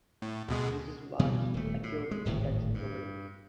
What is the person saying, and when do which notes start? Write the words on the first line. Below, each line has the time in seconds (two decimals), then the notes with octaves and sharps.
This is what occurred in the Dutch Republic.
0.22 A2
0.48 D2 B2 G#3
1.19 B2 E3 G3
1.54 D#1 A3
1.83 A2
2.11 G#3
2.25 D1 G#1 A2
2.74 G2